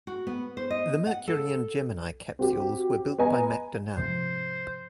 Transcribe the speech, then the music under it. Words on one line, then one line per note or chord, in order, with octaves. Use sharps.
The Mercury and Gemini capsules were built by McDonnell.
F#4
B3
C5
D#5
F#5
A4
C4 F#4 G4
B3 D#5 G#5 A#5
G#2 C3 F3 C5